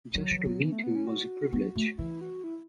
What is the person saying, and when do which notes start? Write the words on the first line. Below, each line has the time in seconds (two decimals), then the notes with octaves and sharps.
Just to meet him was a privilege.
0.15 F#3 E4
0.31 E3
0.38 F#3
0.45 B3
0.61 E3
0.72 A3
0.84 B3
0.95 C#4
1.07 F#4
1.52 B3
1.76 A3
1.98 E3 E4
2.21 F#4
2.44 E4